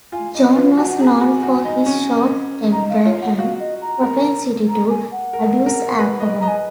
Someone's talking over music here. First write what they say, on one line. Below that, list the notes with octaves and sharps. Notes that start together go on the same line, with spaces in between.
John was known for his short temper and propensity to abuse alcohol.
F4 G#5
D#4
F4 B4
F#4 G#5
F#5
G#4 A#5
G#5
F#4
F#4
D#4
C#4
D#4 A#5
F5
F4 C#5
F#5
F#4 F5
D#5
A#5
A#4
A#5
G#5
F#5
A#4
A#4
B4
D#5
D#5 A#5
G#5